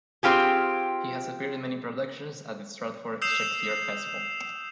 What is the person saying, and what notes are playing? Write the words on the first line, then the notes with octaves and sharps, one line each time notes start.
He has appeared in many productions at the Stratford Shakespeare Festival.
C4 F4 G4 G#4
D#6 E6 G6 C7 E7 F7